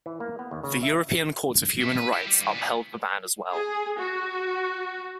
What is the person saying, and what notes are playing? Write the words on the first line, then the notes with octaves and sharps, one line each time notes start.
The European Court of Human Rights upheld the ban as well.
E3
A#3
B3
D#2
C#3
E5
G3 E5
B4
E4 G4
G3
G2 E3
A#2 B3
G#4
F#4